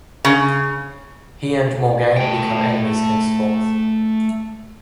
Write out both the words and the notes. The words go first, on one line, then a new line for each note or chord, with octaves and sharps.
He and Morgaine become enemies henceforth.
C#3
A3 G5